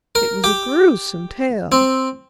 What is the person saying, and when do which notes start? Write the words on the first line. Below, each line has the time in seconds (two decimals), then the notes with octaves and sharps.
It was a gruesome tale!
0.15 A#4
0.44 G4
1.72 C4